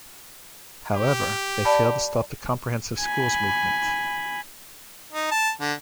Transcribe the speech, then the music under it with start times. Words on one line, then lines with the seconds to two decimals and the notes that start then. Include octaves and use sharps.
However, they failed to stop the comprehensive schools movement.
0.94 G4
1.65 D5 A5 B5
3.00 G#5 B5
5.13 D#4
5.31 A5
5.60 D3